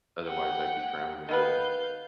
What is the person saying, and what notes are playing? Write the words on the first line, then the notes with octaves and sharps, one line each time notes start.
otherwise I'd be drowning in wood.
F#5 G5
D#3 B3 B4 F5 G6